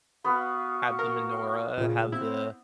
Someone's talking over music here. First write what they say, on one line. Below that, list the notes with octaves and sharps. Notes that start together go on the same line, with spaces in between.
Have the menorah, have the
B3 F#4 B4 F5 C#6
A#4
A#2 C#3
C4 E4